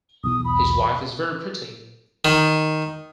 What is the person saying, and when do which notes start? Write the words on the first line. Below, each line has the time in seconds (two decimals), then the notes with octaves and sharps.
His wife is very pretty.
0.24 B1 E2 D#6
0.45 B5
2.25 D#3